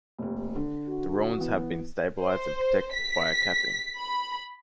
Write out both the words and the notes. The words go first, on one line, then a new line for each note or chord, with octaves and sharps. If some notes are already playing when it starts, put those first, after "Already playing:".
The ruins have been stabilised and protected by a capping.
F1 D#2
D3
F#4
E3 B3
C5
B6
B5